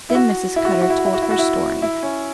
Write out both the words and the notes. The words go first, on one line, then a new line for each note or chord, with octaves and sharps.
Then Mrs. Cutter told her story.
E4
F#4
E4
F#4
E4
F#4
E4
F#4
E4
F#4
E4
F#4
E4
E4
C#4